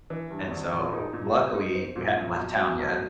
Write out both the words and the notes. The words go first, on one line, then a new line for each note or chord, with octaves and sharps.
And, so, luckily we hadn't left town yet,
E3
G2
G#1
A#2
D#4
A#2
G3
D#4
C4
A#2
A#2
B1
F#3
B1